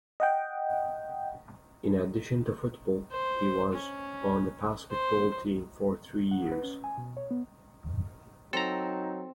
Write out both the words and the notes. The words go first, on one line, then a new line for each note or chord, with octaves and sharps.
In addition to football, he was on the basketball team for three years.
D#5 F#5 G5
C5
C#4
C5
F#5
B4
C#4
G#5
B2
C#5
B3
F#3 C4 D#4 A4 A#5